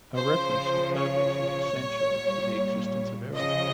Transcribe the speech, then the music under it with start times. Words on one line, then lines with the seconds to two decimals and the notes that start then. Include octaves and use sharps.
A reference to purpose is essential to the existence of error.
0.15 C#3 F3 C5
0.95 C#5
1.74 A#2 G3
3.34 C#3 F3 D#5